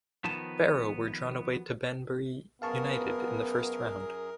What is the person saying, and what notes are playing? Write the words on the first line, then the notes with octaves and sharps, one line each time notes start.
Barrow were drawn away to Banbury United in the first round.
D#3 F3 B3 A5
F#2 B3 G#4 A#4 F5 A5 C#6